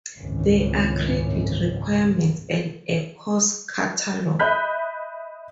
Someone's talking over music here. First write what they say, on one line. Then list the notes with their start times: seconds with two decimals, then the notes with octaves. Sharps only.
There are credit requirements and a course catalog.
0.18 G#1 C#2 F#2 A2
4.39 D#5 E5 B5 F#6 G6 B6